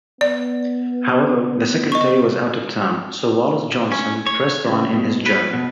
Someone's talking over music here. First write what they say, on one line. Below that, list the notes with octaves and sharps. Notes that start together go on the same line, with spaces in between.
However, the secretary was out of town, so Wallace-Johnson pressed on in his journey.
B3 D5
D#5 C#6
C#4
C#5
C#2
B2
B4
B2